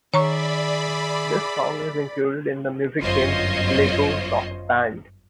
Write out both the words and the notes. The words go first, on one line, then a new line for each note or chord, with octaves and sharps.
This song is included in the music game "Lego Rock Band".
D#3 G#4 C#5 D5 E5 A#5 B5 C#6
G1 F#2 F4 C5 C#5 D#5